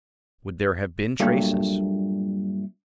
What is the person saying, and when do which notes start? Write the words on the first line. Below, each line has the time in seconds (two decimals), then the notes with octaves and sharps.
"Would there have been traces?"
1.20 G2 A#2 F#3 A3